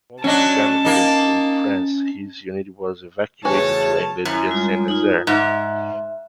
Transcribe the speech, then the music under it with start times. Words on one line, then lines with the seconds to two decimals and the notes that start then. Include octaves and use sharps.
Following the German breakthrough in France, his unit was evacuated to England via Saint-Nazaire.
0.24 F#3 C#4 D4 D#5 A5
0.85 A#3 D#4
3.45 E2 C#3 A3 F#4 B4 C#5 G#5 A5
4.25 F#2 E4
4.48 G3 G#3 F4
4.88 D#4 F4
5.27 G#2 E5